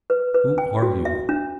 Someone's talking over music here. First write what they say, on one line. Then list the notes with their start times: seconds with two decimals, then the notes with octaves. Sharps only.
Who are you?
0.10 B4
0.34 B4
0.58 G5
0.82 F#4
1.05 E5
1.29 D4